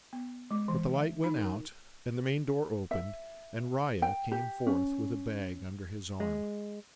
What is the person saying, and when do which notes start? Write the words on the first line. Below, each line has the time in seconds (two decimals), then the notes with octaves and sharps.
But the light went out, and the main door opened, and Riah came forth with a bag under his arm.
0.13 B3
0.51 G#3
0.68 E3
0.93 E5
1.24 D#4
1.38 A#4
2.91 E5
4.02 G5
4.32 G4
4.67 C#4
6.20 G#3